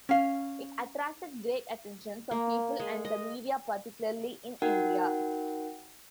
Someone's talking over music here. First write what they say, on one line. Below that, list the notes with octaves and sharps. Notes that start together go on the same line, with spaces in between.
It attracted great attention from people and the media particularly in India.
C#4 F5
A#3
G#3
D#5
D#4 F#4 A#4 F#5 G5